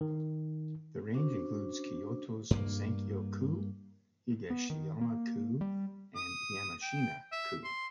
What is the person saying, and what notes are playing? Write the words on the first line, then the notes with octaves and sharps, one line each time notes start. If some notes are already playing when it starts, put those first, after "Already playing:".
The range includes Kyoto’s Sakyo-ku, Higashiyama-ku, and Yamashina-ku.
D#3
C#4 D4 F#4 C5 D6
G2 A#3
B3
D#3
A#3
G3
D#6
G5
E5
C6